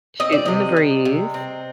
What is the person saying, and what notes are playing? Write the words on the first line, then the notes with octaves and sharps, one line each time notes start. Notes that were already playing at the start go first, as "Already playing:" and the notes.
Shooting the breeze.
C4 D#5
D5
C3 D#5
G3
C3
C4